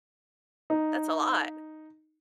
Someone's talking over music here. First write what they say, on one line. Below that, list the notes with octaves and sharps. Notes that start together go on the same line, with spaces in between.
That's a lot.
D#4